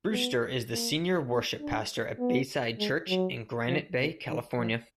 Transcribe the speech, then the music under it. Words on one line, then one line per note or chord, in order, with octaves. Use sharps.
Brewster is the senior worship pastor at Bayside Church in Granite Bay, California.
B3
A#3
B3
D4
B3
G#3
F#3
F3
B2
D#3
F3